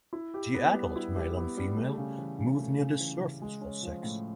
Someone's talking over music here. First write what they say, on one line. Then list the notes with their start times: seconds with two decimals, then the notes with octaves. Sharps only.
The adult male and female move near the surface for sex.
0.13 E4
0.34 G4
0.54 B3
0.74 G3
0.96 E4
1.16 G4
1.37 B3
1.57 G3
1.77 A3
1.98 C#3
2.18 E3
2.38 C#3
2.59 A3
2.79 C#3
3.00 E3
3.20 C#3
3.42 G#3
3.61 C#4
3.83 F3
4.03 A2